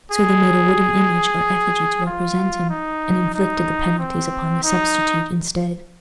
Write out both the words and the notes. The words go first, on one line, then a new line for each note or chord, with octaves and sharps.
So they made a wooden image or effigy to represent him, and inflicted the penalties upon the substitute instead.
G#4
F4
D#4
D#4
C4
D#4